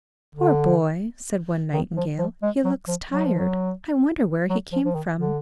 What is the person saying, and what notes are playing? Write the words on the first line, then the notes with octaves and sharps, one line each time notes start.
"Poor boy!" said one nightingale, "he looks tired; I wonder where he came from."
D3
D#3
F3
F3
G#3
F#3
F3
F#3
F3
F#3
F#3
F3
F3
D#3
D3